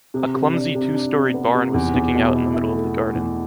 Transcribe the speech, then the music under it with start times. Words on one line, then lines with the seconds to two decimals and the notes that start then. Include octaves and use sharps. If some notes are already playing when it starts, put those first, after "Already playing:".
A clumsy two-storied barn was sticking out in the middle of the garden.
0.14 C3
0.35 C3
0.54 D4
0.75 C3
0.94 D4
1.14 C3
1.34 B3
1.55 C3
1.74 E2
1.94 E2
2.14 B2
2.34 E4
2.54 E4
2.74 A3
2.95 A3
3.15 E2